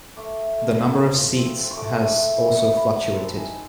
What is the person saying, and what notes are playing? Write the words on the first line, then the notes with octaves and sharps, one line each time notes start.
The number of seats has also fluctuated.
A3 D6
A3
A3
C4
F4
F4
C4
C4
C#6
A3 D6
A3
A3
E4
E4 C#6
A3 B5
E4 A#5
A#5
C4 A5
D#4 G#5